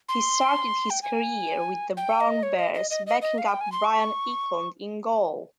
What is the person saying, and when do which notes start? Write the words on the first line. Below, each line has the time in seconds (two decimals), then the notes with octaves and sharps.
He started his career with the Brown Bears backing up Brian Eklund in goal.
0.09 C6
0.90 G5
1.03 G#5
1.97 G5
2.21 D#5
2.43 C#5
2.59 D#5
2.74 D#5
2.90 D#5
3.07 D#5
3.22 D#5
3.38 F5
3.49 G5
3.61 G#5
3.72 C6
3.85 C#6